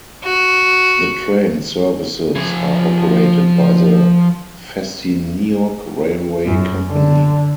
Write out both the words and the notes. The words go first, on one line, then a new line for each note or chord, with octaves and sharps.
The train services are operated by the Festiniog Railway Company.
F#4
F3 G#5
F#2
D3